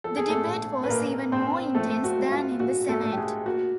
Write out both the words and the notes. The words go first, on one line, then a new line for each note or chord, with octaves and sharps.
The debate was even more intense than in the Senate.
F3 A4
G#4
A3 A4
A#1
B4
A#1 A#3 A#4
A#1 C4 C5
F3 A3 A4
F#4
G#2
F4
A#1 F#4
A3 A4
A#1
G4
G#3 G#4
A#3 F#4